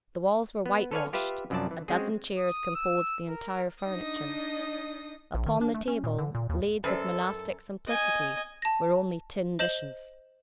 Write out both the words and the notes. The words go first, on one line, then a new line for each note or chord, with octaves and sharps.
The walls were whitewashed; a dozen chairs composed the entire furniture; upon the table, laid with monastic simplicity, were only tin dishes.
B3
A4 B4 C#5 D5 F5 G#5
F4 G4 B4 E5 F5
C2 F#2 F3 F#3 D5 A5
E3
G#3 C4 C#4 F#4 G#4
D#6
E6
A#4
D4 D#4 D#5 D#6
A#1
D#3
D4
A3
C#4
A#2
D3
A#2
D#2
F#2 A4 B4 C5 D5
D#5 G#5
A5 A#6
C5 D#5 G6 E7 F#7